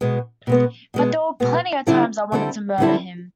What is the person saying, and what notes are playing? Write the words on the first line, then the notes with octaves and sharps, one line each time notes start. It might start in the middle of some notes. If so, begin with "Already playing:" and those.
But there were plenty of times I wanted to murder him!
B2 G#3 B3
B2 G#3 B3
B2 G#3 B3
B2 G#3 B3
D3 G3 C4 E4 A4
D3 G3 C4 E4 A4
D3 G3 C4 E4 A4